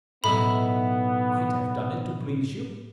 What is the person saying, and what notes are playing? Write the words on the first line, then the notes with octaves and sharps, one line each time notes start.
"I'd have done it to please you."
B1 A2 B3 D#5 E5 A#5 B5 E6